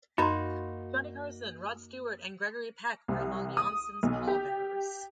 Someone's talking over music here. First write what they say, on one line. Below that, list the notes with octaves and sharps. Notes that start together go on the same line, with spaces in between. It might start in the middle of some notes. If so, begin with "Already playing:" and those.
Johnny Carson, Rod Stewart and Gregory Peck were among Janssen's pallbearers.
F#2 A#3 D#4 F#4 B5 C6
C2
D#6
B1
G4